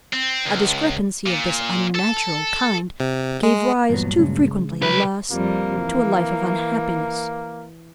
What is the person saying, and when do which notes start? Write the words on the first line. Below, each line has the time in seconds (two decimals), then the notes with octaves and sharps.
A discrepancy of this unnatural kind gave rise, too frequently, alas! to a life of unhappiness.
0.13 C4
0.46 C#2
1.27 A#2
1.95 A4 A5
3.00 C3
3.43 G#3
3.89 G2 A#2 E3 F#3 B3
4.19 C#3 G#3
4.82 C2 F#3 B4
5.31 F2 G3 A#3
5.83 E3